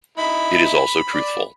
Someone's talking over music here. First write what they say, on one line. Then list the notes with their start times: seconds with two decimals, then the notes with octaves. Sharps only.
It is also truthful.
0.18 D#4 E4 B5
1.14 D5